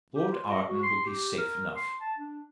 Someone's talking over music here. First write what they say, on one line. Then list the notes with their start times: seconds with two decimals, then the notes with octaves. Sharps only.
Lord Arden will be safe enough.
0.15 G4
0.31 F4
0.51 D#5
0.68 F#4
0.83 C6
1.06 G4
1.38 A#4
1.76 C6
2.00 A5
2.18 D4